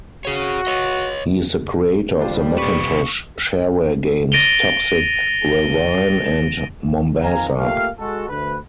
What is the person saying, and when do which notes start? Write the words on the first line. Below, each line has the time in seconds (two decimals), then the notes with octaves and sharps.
He is the creator of the Macintosh shareware games "Toxic Ravine" and "Mombasa".
0.25 F#4 G#4 C#5
0.67 C#5 D#5
2.19 F2 G3 D4 F4 C5
2.58 C3 B4 C#6
4.32 A6 A#6 D7 D#7 F7 G7
7.22 D#3 F3 C4 F5 G#5 A#5
7.59 A3 A#3 F4 G4 F5
7.99 G#3 F#4 A4
8.29 D2 B4